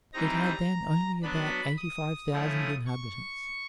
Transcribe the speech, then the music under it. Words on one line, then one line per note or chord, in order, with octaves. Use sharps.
It had then only about eighty-five thousand inhabitants.
E3 G3 C4 D#4 A#5
F#3 B3 D4 B5
D#6
F3 A3 C#4 E4
C#6